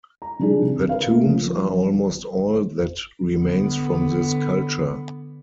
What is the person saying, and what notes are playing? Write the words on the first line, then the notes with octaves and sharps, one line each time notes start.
The tombs are almost all that remains from this culture.
A#5
F3 G3 D4 D#4 G#4
C3
A#4 B4 F5
A3 A#3
F3 C#4
D3 B3